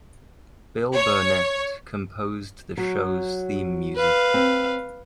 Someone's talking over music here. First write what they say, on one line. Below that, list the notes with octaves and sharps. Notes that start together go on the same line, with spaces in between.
Bill Burnett composed the show's theme music.
C#5
F#3
B4 F5
C4